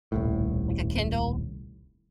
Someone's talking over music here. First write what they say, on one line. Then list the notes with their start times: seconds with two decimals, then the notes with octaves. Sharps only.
Like a Kindle?
0.12 D#1 C2 A2